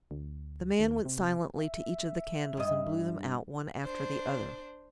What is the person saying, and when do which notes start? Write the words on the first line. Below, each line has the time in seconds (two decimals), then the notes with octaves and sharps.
The man went silently to each of the candles and blew them out one after the other.
0.11 D2
0.80 D#2
1.06 C3
1.58 E5
2.57 G2 D#5
3.84 D4 C5